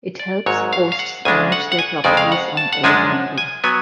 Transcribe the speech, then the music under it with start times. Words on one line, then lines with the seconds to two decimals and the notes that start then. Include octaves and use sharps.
It helps hosts manage their properties on Airbnb.
0.19 D5
0.46 G#1 G#2 F#3 C#5
0.73 F5
0.92 F5
0.99 F#5
1.25 D2 C#3 G#3 D4 G#5
1.52 F#5
1.72 F#5
1.79 G#5
2.04 F2 C#3 G#3 D5
2.17 F5
2.32 F#5
2.57 A5
2.73 F#5
2.84 F#2 F3 G#3 D4 G#5
3.38 G#5
3.64 F#3 B3 G#5